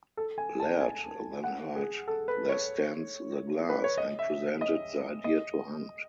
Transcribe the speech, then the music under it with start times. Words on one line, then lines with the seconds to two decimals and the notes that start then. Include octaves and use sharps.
Laird then heard "There Stands the Glass" and presented the idea to Hunt.
0.17 A4
0.38 G#5
0.60 A5
0.80 G#5
1.44 F#5
1.76 G#4
2.08 A4
2.28 B4
2.49 C#5
3.69 B4
3.84 C#5
3.98 D#5
4.19 E5
4.61 D#5
5.24 D#5